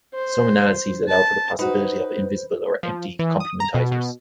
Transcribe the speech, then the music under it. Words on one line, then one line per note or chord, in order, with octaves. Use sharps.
Some analyses allow for the possibility of invisible or "empty" complementizers.
C5
A5
D#4 F#4 B4 C5
F3
E3
D#6
A#5
B2
B2